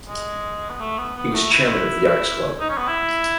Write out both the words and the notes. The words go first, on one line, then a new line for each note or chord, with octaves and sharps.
He was Chairman of The Arts Club.
G#3
B3
A3
B3
B3
A3
E4
D#4
C#4
B3
E4